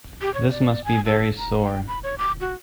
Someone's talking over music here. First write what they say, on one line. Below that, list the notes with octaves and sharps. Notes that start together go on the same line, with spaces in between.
This must be very sore.
G4
C#5
D5
G#5
A4
A#5
G5
B5
C#5
D6
F#4